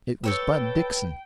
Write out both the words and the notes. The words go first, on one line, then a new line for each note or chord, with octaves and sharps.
It was Bud Dixon.
A4 B4 C#5 G5 E6